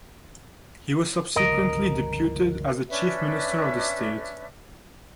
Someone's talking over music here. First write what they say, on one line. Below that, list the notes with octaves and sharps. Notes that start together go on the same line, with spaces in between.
He was subsequently deputed as the Chief Minister of the State.
G1 C#2 F3 A#4 D#5
C#4 D4 B4 E5